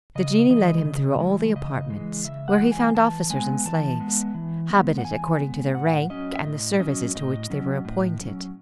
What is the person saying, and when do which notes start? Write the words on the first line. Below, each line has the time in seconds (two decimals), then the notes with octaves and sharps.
The genie led him through all the apartments, where he found officers and slaves, habited according to their rank and the services to which they were appointed.
0.15 C#3 D#5
0.50 E3 G#3 D#5
0.85 C#3
1.20 E3 G#3
1.56 C#3 D#5
1.90 E3 G#3
2.24 C#3 E5
2.48 F#5
2.60 E3 G#3
2.71 G#5
2.94 E3 A5
3.30 G#3 B3 G#5
3.65 E3 A5
4.00 G#3 B3
4.34 E3
4.70 G#3 B3
4.98 F#5
5.05 E3 G#5
5.40 G#3 B3
5.75 A2 F#5
6.10 F#3 C#4 D#5
6.33 E5
6.45 A2 D#5
6.80 F#3 C#4 D#5
7.15 A2 D#5
7.50 F#3 C#4
7.85 A2
8.19 F#3 C#4